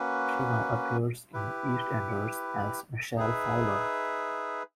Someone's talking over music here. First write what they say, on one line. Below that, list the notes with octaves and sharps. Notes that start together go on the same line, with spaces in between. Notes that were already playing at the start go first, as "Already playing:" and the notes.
She now appears in "EastEnders" as Michelle Fowler.
Already playing: A#3 C#4 F#4 B4
E4 G4 B4
D#4 G#4 B4 E5